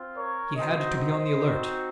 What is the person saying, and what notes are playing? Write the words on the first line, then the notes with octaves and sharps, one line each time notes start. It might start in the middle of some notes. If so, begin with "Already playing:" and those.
He had to be on the alert.
Already playing: C4 F4
A#4 C#5
C4 D#4 F#4 C5 D#5
C5 D#5
C4 D#4 F#4